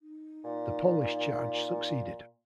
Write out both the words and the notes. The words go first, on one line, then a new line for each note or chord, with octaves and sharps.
The Polish charge succeeded.
D#4
A#2